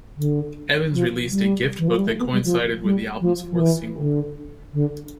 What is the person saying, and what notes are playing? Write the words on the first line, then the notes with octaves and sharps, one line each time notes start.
Evans released a gift book that coincided with the album's fourth single.
D3
F3
G3
E3
F3
G3
A3
B3
G3
F3
G3
F3
F3
E3
D3
D3